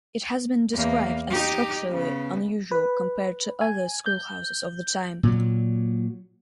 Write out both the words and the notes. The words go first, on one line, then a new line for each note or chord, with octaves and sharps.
It has been described as "structurally unusual" compared to other schoolhouses of the time.
E2 A#3
D#4 G4
C#3 B3
B4
G#5
G6
A#2 F#3